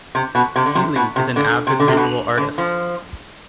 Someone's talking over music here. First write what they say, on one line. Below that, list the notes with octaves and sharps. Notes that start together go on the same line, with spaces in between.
Keely is an avid visual artist.
C3
B2
C3
D3
C3
B2
C3
D3
C3
D3
C3
B2
D3
F3